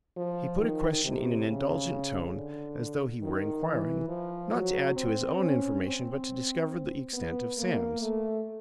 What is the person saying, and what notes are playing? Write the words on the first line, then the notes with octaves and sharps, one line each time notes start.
He put a question in an indulgent tone, as though he were inquiring, not to add to his own information but to discover the extent of Sam's.
F3
D#3
C3
C#3
D3
D#3
E3
F3
F#3
C4
C#4
C4
B3
A#3
A3